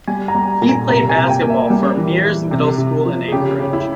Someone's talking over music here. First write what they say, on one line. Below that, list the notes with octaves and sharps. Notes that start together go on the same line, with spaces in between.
He played basketball for Mears Middle School in Anchorage.
G3 G#5
A#5
G3
A#2 A#5
G#5
C3 A#5
G#5
C3
G5
A#3
E5
G3
E3
E3
C3
C3
F3
G#4
C#3 G4
C#3
E4